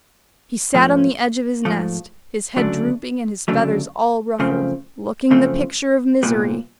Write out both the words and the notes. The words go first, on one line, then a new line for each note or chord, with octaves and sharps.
He sat on the edge of his nest, his head drooping and his feathers all ruffled, looking the picture of misery.
G#2 F3 A3
G#2 F3 A3
D2 C#3 F#3 A3 D4
D2 C#3 F#3 A3 D4
F#2 C#3 F3 A3 C4
F#2 C#3 F3 A3 C4
C2 A#2 G3 B3